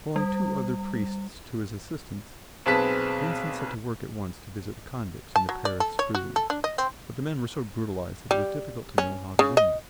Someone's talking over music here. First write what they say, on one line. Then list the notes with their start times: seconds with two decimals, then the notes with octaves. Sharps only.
Calling two other priests to his assistance, Vincent set to work at once to visit the convicts in the Paris prisons; but the men were so brutalized that it was difficult to know how to win them.
0.16 G3
2.66 B1 C4 G#4 B4 A5 B6
5.36 A5
5.49 F#3
5.65 D5
5.80 A4
5.99 C#5
6.15 F#4
6.36 A4
6.50 D4
6.64 D#5
6.78 C4
8.31 G3
8.98 C#4
9.39 C#3
9.57 D#5